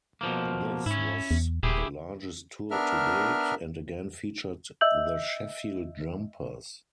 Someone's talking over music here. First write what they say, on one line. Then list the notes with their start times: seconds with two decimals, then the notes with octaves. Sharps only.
This was the largest tour to date, and again featured the Sheffield Jumpers.
0.21 B2 F3 A#3
0.86 G#2 C#4 E4
1.31 E2
1.63 D#1 E4 G4 G#4
2.71 B3 D4 A#4 E5 F6
4.81 D#5 E5 E6 G6 F#7